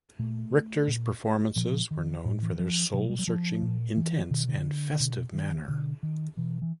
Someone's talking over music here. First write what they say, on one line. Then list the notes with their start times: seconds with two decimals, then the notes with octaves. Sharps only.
Richter's performances were known for their soul-searching, intense and festive manner.
0.19 A#2 A3
0.87 A#2
1.56 A#2 F3
1.91 D#3
2.25 A2
2.43 E3
2.59 F3
2.93 B2 F#3
3.09 G3
3.19 F#3
3.27 F3
3.62 A#2
3.97 E3
4.30 B2 D#3
4.49 D3
5.00 B2
5.34 D#3
5.68 B2 D3
6.03 D#3
6.37 B2 E3
6.62 E3